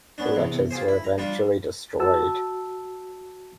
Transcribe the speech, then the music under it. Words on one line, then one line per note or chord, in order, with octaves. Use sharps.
The letters were eventually destroyed.
B3 C#4 D4
E2 C3
F4 G4 G#4 C5
E4
A#5
G3 D4 F4
F#4 A5 E6